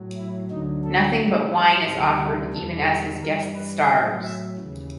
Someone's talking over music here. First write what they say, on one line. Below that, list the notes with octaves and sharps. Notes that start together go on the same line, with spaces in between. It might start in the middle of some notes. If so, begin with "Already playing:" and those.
Nothing but wine is offered even as his guest starves.
Already playing: A2 F#3
E4
D2 D3 F#3 D#4
A4
G#2 E3 G3 E4
D2 C3 E3 G3
E4
E2 B2 G3 A4
A4
G2 E3 G3 A#4
B4
A2 F#3 D#5
E5
D#2 C#3 E3